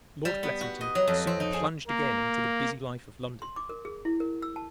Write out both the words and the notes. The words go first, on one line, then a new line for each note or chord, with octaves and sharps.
Lord Blessington soon plunged again into the busy life of London.
G3
B3
F#4
D#5
F#3
F2
C4
D#4
G#4
A#3
C6
D6
A#4
G#4
E4
A#4
E6
A5